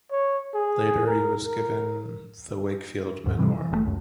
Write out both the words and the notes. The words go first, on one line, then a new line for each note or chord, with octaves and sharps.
Later he was given the Wakefield manor.
C#5
G#4
A#4
A#4
D#2 G#2
G#2 C3 E3 G3
E3
F#1 A#2 A3
C#2 F#2